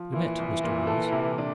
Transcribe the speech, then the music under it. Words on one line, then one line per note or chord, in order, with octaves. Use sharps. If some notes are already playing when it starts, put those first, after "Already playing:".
We met Mr. Woolls.
Already playing: F3
A#2 E3
C2
A#2
A4
C3
D4